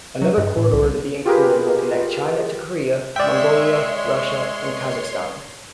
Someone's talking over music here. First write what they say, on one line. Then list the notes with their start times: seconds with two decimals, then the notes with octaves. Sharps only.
Another corridor to be included will connect China to Korea, Mongolia, Russia and Kazakhstan.
0.21 F#3
0.38 G2
0.57 A2
0.73 C2
1.25 F4 G4 G#4 A#4 B4
3.16 G#3 C#5 D5 E5 G5 C6